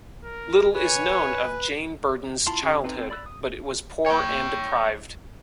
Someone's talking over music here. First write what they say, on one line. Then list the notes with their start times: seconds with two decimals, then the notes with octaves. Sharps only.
Little is known of Jane Burden's childhood, but it was poor and deprived.
0.24 A#4
0.75 B4 C#5 G#5
2.47 E4 F4 A5 B5 C6
2.62 D3 C#4 F#4 G#4
2.84 C4 D#4 A4 B4
2.98 C4 A4
3.10 D5 B5 E6 F#6
3.26 D#6
4.06 C#5 G5